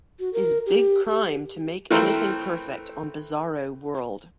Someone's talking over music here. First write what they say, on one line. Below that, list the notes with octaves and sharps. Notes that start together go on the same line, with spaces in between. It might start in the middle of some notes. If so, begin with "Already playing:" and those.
Is big crime to make anything perfect on Bizarro World!
F#4
A#4
G4
E3 A3 C4 A#4 C5